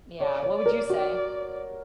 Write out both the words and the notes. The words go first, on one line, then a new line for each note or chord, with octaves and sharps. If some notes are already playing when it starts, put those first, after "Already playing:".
Yeah, what would you say?
C#5 D5
C#5
D5
A#4
F#4 D5